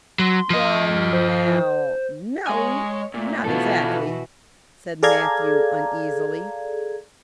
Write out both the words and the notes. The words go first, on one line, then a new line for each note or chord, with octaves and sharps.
"Well now--no--not exactly," said Matthew uneasily.
F#3 C6
F3 D#5
F6
C5
G#3 C#5 G#5
A#2 A3
B2 E3 F4 F#4 A4
G#4 A4 D5 F5 A#5 G#6